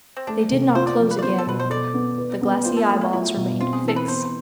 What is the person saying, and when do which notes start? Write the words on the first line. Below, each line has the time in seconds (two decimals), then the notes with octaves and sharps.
They did not close again; the glassy eyeballs remained fixed.
0.17 C4
0.27 A3 D4
0.52 C3
0.75 F4 C5
0.87 D5
0.99 F3
1.11 B4
1.19 D5
1.23 B3 C5
1.38 A4
1.46 B2 B4
1.60 C5
1.70 A4 D5
1.94 B3
2.18 B4
2.41 B3
2.65 F4 C5
2.77 A4
2.89 A3 G#4
3.01 E4
3.13 E4 F4
3.36 B2
3.61 C4 F4
3.73 G#4
3.84 E3 A4
3.96 B4
4.08 B3 C5